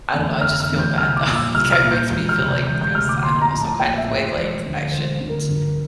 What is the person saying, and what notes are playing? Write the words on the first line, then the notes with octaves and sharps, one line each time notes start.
I don't know, I just feel bad, though, like, I it makes me feel like, I guess, I I don't know, some kind of way, like, I shouldn't
E2 D3 A3
F1 F6
F6
E2 D3 A3
G6
C2 F6
D6
A#2 F3
E6
C2 F6
F6
A#2 F3
G6
E1 G6
F6
D2 C3
G6
E1 G6
G6
D2 C3 F6
D6
A#1 C6
A#5
A2 F3
A5
A#1 G5
E5
A2 F3
C5
E1
D2 D3 F3
E1 C5
D2 D3 F3
A#4
G2